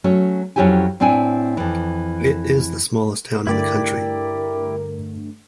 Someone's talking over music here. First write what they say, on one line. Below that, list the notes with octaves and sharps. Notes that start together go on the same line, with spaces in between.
It is the smallest town in the country.
F#3 A3 C#4
F2 F#3 C#4 E4 G4 G#5
A2 C4 D4 E4 G#5
F2 E3
G2 D3 A3 E4 G4 A#4 D5